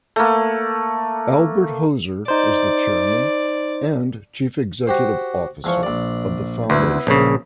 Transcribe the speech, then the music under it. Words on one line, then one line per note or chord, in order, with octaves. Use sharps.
Albert Hoser is the chairman and chief executive officer of the foundation.
A3 A#3
D#4 C5 D5
F#4 G4 C5
E2 F3 C#6
A#1 D5
D2 B3 E4
A#1 C#3